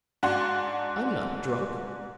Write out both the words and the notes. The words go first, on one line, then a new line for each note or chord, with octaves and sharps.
I'm not drunk.
G#2 D4 F#4 C6